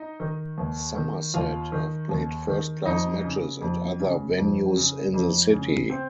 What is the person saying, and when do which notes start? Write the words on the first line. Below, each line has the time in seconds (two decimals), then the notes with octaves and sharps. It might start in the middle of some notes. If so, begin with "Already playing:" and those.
Somerset have played first-class matches at other venues in the city.
Already playing: D#4 D#5
0.20 D#3
0.58 D#2
0.95 D#3
1.34 D#2 F4 F5
1.72 D#3
2.09 D#2
2.48 D#3
2.85 F2 D#4 D#5
3.23 C#3
3.61 F2
4.00 C#3
4.38 F2
4.76 C#3
5.14 F2
5.52 C#3
5.90 C4 C5